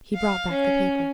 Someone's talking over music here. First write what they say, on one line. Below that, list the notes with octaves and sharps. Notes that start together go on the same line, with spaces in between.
He brought back the paper.
F5
C#4